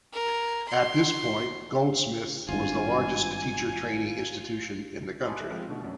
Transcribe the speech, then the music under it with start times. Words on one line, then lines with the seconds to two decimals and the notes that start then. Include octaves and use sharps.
At this point Goldsmiths was the largest teacher training institution in the country.
0.13 A#4
0.68 C6
2.49 G#1 G2 F4 G#5
5.24 G#5 A5 B5 C6 D6 D#6
5.37 F#1 A4 E5 F#6
5.50 F3 G#3 C4 G4
5.68 B2 D3 D#3 A3
5.80 F1 F#2